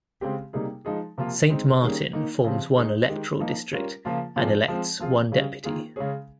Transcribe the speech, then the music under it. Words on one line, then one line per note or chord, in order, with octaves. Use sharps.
Saint Martin forms one electoral district, and elects one deputy.
C#3 G#3 C4 G4
C3 G3 A#3 D#4 G#4
F3 G#3 D#4 G#4
C3 F3 A#3 F4
G#3 C4 D#4
D#3 G3 A#3 C#4 G#4
D#3 A#3 D#4
C#3 F3 C4 G4
G#3 D#4 G#4
D#3 G#3 D#4 G4
F3 A#3 D#4
G3 C#4 F4 A#4
C#3 F3 A#3 F4
A#2 F3 G#3 C4 F4
F3 G#3 C4
F3 C4 F4 G#4
C#3 G3 C#4 G#4
D#3 A#3 F4 G#4
C#3 G#3 C#4 G#4